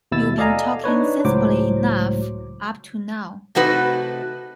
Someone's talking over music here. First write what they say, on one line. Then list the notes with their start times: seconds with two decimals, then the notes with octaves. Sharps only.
You’ve been talking sensibly enough up to now.
0.12 D#2 B2 E4 E6 A6
0.38 A4 D5 D#5 F5 G#5 A#5
0.84 D4 D#4 B4 C#5
1.25 C#2 A2 F#3 C5 D6
3.55 C3 A3 D#4 F#4 B4